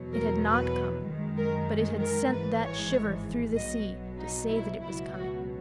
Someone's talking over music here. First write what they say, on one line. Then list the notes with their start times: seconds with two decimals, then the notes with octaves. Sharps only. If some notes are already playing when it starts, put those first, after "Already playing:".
It had not come, but it had sent that shiver through the sea to say that it was coming.
Already playing: E2 B2 F#3
0.13 A#4
0.44 B4
1.06 F#2 D#3 G#3
1.38 A#4
2.00 A#4
2.31 G#1 G#2 E3 G#3 B4
2.63 C#5
3.56 B1 B2 F#3 D#5
4.19 D#4
4.50 E4
4.82 C#2 B2 F#3 E4
5.13 F#4